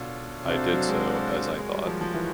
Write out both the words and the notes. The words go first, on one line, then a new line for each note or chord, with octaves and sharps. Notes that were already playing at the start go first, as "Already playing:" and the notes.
I did so, as I thought.
Already playing: B2 D4 F4 A4 C#5 F5
C3 D4 F#4 A4 C5 F5
F#3
G#3
G#3 F#4 A#4 C#5
G3
F3
F3
E3